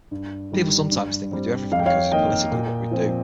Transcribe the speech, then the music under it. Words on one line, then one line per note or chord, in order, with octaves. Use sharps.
People sometimes think we do everything because it's politically what we do.
G2
D#3 G3
G2
G3 C4
F2 F5
G5
C#5 F5
D#3 A#3 D#5 G5
A#2
F3 C4